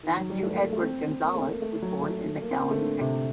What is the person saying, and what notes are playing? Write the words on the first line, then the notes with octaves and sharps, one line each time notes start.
Matthew Edward Gonzalez was born in McAllen, Texas.
D#3
F#3
G3
A3
A#3
A3
C4
A#3
A3
A#3
A3
F#3
A3
A#3
C4
A#3
A3
D3
C3